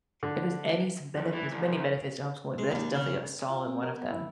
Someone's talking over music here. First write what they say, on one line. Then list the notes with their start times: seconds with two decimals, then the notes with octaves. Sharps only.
if there's any some benefit there's many benefits to homeschooling, but that is definitely a solid one of them.
0.23 D3
1.17 F2
1.33 E3
1.51 C2
1.63 C2
2.58 G#3
2.72 D#2
2.95 C#3
3.50 F4
3.66 C4
3.83 A#4
3.94 B3
4.09 E4